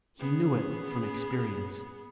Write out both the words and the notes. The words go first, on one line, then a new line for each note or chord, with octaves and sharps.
He knew it from experience.
B3 C#4 G#4